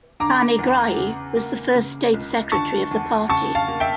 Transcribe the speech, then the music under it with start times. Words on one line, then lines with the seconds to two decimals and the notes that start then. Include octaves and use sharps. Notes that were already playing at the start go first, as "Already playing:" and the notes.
Panigrahi was the first state secretary of the party.
0.20 D3 A#5 D6
0.59 E2
0.97 C#3
1.37 A#3
1.75 C#3
2.14 C#2
2.52 D3 A5 C#6
2.91 E2
3.29 C#3 A5 C#6
3.55 F5 A5
3.68 A#3
3.80 E5 G5